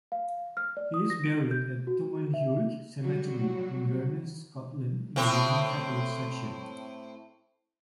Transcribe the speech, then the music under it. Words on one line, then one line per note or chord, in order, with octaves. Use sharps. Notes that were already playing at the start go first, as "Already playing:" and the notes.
He is buried at Tomnahurich Cemetery, Inverness, Scotland, in the Roman Catholic Section.
F5
F6
D5
D#6
A#6
D7
G6
F#4
E5
F#3 G3 F#4
A2 C4